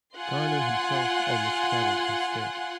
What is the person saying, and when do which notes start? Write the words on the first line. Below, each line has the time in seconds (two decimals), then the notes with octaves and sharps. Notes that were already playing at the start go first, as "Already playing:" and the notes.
Garner himself almost trebled his stake.
0.17 F4 F#5 G#5 C6